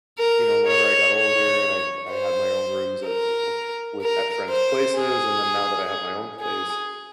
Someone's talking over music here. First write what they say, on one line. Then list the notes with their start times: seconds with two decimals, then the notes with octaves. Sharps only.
you know, whenever I got older and I I had my own rooms at you know, with at friends' places, and then now that I have my own place,
0.19 A#4
0.67 C#5
1.15 C#5
2.11 C5
3.06 A#4
4.02 A#4
4.50 C5
4.98 G#4
6.41 G#4